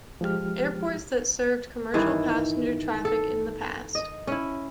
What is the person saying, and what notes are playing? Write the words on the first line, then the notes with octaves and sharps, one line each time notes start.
Airports that served commercial passenger traffic in the past.
F3 G#3 G4 F6
G2 D#3 E3 C5
A4
D#5
C#4 E4